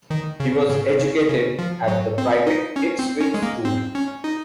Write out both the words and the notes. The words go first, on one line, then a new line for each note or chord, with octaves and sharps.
He was educated at the private Ipswich School.
D#3
C#3
C#3
C#3
C#3
F3
F#3
C4
D#4
C#4
C4
C#4
G#3
A#3
C4
C#4
D#4